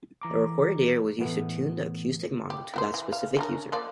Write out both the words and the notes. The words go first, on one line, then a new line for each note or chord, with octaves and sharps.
The recorded data was used to tune the acoustic model to that specific user.
E3 A#5 D6
A2 E3 A3 B3
G4
E4 F#4 C5
E3
F5
C#4 D4 A#4
F3 A#3 D5